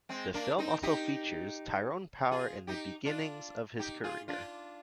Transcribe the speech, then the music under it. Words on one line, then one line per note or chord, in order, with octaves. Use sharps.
The film also features Tyrone Power in the beginnings of his career.
G#3 C4
A#3 D4
C4 D#4
D#4 G4
F4 G#4
D#4 G4
D4 F4
D#4 G4
F4 G#4
D4 F4